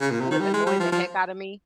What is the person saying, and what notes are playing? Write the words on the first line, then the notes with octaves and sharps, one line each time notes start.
would annoy the heck out of me.
C#3
A#2
C3
D#3
G3
G#3
G3
F3
F3